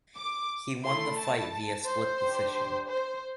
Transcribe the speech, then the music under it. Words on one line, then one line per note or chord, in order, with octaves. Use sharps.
He won the fight via split decision.
D6
A3 E4 A4 C6
A5
C5
D4 G4
C5